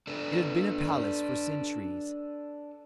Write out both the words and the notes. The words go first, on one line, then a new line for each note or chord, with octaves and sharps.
It had been a palace for centuries.
D4 A4 B4